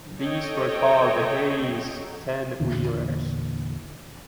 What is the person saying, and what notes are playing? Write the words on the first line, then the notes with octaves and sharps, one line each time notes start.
These were called the "Hayes Ten-Wheelers".
A4 C#5 D#5 G5
E2 A#2 D3 E3